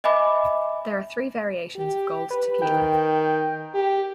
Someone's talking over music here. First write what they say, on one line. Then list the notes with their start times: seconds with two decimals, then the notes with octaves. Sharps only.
There are three variations of gold tequila.
0.04 D#5 E5 G#5 B5 D6
1.76 G4
2.30 B4
2.62 D#3 G5
3.74 G4